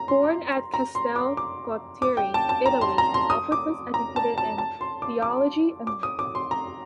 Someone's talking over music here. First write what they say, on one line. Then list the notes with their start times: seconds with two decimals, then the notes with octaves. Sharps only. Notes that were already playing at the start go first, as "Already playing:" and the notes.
Born at Castel Gualtieri, Italy, Albert was educated in theology and law.
Already playing: A#5
0.08 C6
0.74 A#5
0.95 C6
1.16 D6
1.37 D6
2.02 D6
2.17 G5
2.34 A5
2.49 A5
2.66 A#5
2.81 C6
2.98 A#5
3.14 C6
3.30 D#6
3.52 D6
3.94 A#5
4.16 A5
4.38 A5
4.58 A5
4.81 C6
5.02 D6
5.22 D6
5.87 D6
6.03 D#6
6.19 D6
6.35 C6
6.51 A#5